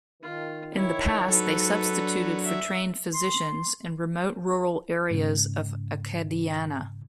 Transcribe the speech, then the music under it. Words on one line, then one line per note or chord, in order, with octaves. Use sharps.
In the past, they substituted for trained physicians in remote rural areas of Acadiana.
D#3 F4
E4 C#5
G#2 F#3 D#4 A4 B4
D4
E5
C6
G#2 C#3